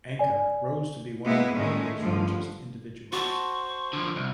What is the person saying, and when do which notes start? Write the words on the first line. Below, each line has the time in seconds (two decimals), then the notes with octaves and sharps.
Anker rose to become one of Norway's richest individuals.
0.19 D5 G#5
1.25 G#3 A#3 B3 E4
1.56 A2 D#3 G#3 A3 C#4
2.00 G2 D3 F3
3.12 F#4 C5 A5 C#6
3.93 D3 F3
4.16 C2